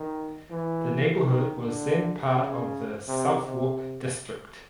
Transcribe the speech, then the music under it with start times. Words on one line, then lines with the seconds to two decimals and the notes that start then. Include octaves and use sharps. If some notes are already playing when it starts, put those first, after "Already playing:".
The neighborhood was then part of the Southwark district.
Already playing: D#3
0.50 E3
1.24 D#3
1.61 D3
2.35 C#3
3.08 C3
3.45 C3